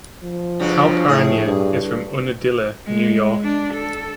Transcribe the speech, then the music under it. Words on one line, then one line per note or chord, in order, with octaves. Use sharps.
Karl Paranya is from Unadilla, New York.
F3
G2 C#3 F#4
A2 G#4
G2
G#3
D4
A4